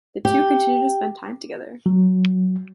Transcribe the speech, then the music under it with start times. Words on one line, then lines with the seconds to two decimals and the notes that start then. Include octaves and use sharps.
The two continue to spend time together.
0.25 G4
1.86 F#3